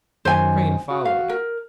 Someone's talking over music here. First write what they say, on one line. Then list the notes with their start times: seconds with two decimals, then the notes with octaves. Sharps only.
Crane followed.
0.25 F#2 D#3 C5 G#5
0.90 F#4
1.05 F5
1.29 A#4